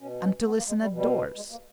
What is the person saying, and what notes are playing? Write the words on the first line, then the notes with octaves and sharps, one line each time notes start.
"And to listen at doors!"
B2 C#4
C#4
B3
A#3
G#3
G3
B2 G3
G#3
A#3